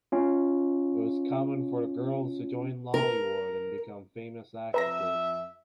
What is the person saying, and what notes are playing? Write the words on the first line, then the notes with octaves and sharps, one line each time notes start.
It was common for the girls to join Lollywood and become famous actresses.
C#4 F4
A#4
F2 B4 E5 A#5 A#6